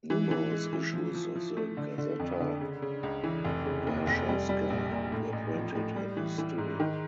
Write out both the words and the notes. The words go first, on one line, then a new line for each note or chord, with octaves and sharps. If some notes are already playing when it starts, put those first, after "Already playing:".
Numerous issues of the "Gazeta Warszawska" were printed in his studio.
E3
E3
G#3
E3
F3
F3
F3
A3
D3
D3
F2
D3
C#3
C#3
C#2
E3
F1
C#3
D#2
F1
G3
G3
A#1
A#2
A2
A1
F3
A2
G3
E3
E3
G#2
D#3